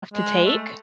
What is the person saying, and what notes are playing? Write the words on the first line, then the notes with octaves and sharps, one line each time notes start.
to take.
G#3
A3